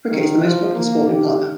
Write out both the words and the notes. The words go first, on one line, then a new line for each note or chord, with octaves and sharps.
Cricket is the most popular sport in Palghar.
D#3
F3
A#3
G4